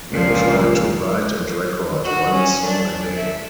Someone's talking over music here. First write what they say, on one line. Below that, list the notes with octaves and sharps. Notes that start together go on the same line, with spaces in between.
They tried to write and record one song a day.
G1 C#2 A#2 F3
F#4
C#4
D4
E5